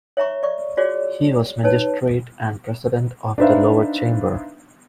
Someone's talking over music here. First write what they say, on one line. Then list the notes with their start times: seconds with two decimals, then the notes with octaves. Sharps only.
He was magistrate and President of the Lower Chamber.
0.17 C#5 E5 A#5 C#6
0.43 D5 C#6
0.77 F4 F#4 G#4 C#5 D5
1.63 D#4 B4 C#5 A5
3.38 D4 D#4 B4 C5 E5 F5